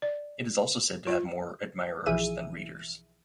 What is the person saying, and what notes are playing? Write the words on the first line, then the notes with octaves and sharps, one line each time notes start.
It is also said to have more admirers than readers.
D5
F4
B1 E3 F3 G#4 E5 D#7